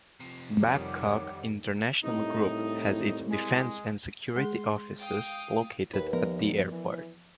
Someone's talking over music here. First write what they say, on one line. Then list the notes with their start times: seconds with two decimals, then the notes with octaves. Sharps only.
Babcock International Group has its Defence and Security offices located at the airport.
0.20 C3 F3
0.60 F2 D#3 G3 C#5 F#5 D6
2.03 C2 A2 D#4
3.31 G#3
4.36 G#3 G#4 C6
5.00 F5 G5 D#6
5.93 D#2 B4
6.13 F3 A#4
6.72 E3